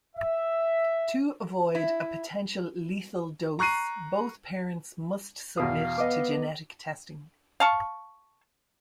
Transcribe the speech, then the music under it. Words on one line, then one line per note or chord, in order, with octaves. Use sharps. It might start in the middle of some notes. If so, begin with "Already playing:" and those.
To avoid a potential "lethal dose," both parents must submit to genetic testing.
E5
E4
A#5 C#6 F#6 C7 D#7
E2 B2 F5 D#6
B3 D#5 D6
F5 A5 C#6